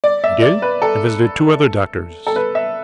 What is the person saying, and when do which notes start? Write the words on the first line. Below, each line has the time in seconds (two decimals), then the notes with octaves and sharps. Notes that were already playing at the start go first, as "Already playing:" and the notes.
He did, and visited two other doctors.
0.04 D5
0.24 E5
0.42 D5
0.62 B4
0.82 A4
2.27 A4
2.36 B4
2.55 E5